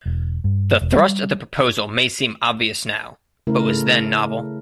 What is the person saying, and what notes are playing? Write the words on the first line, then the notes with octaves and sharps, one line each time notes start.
The thrust of the proposal may seem obvious now, but was then novel.
E1
G2
E1
G3
C#3 A3 E4 A#4